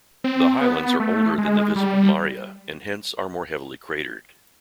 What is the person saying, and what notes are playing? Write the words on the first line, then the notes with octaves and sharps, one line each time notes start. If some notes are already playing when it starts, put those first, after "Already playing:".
The highlands are older than the visible maria, and hence are more heavily cratered.
C4
B3
A3
G#3
G3